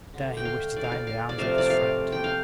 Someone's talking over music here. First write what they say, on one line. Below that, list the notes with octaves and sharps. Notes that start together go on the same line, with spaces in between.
There he wished to die in the arms of his friend.
D3 A3
G5
F5
D5
F5
D5
F5
D5
C3 F3 A3 F5
D5
F5
G5
F5